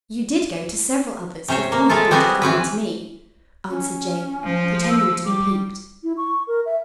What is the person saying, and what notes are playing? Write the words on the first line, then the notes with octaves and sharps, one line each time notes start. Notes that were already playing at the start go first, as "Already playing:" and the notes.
"You did go to several others before you thought of coming to me," answered Jane, pretending to be piqued.
C3 C#4 C5 C#5
A#3
G#3 E4 F4 A4
G3 B3 C4 F#4 G#4
E3 C4 C#4 B4
C#4
F3
E6
G3 D6
E4
C#6
A#4
E5